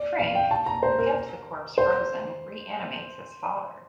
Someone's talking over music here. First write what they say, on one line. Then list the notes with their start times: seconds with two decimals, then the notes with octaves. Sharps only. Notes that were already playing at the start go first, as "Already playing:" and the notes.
Frink, who kept the corpse frozen, reanimates his father.
Already playing: D5
0.19 F5
0.35 G5
0.51 A5
0.66 A#5
0.83 C5
0.99 A#4
1.78 C5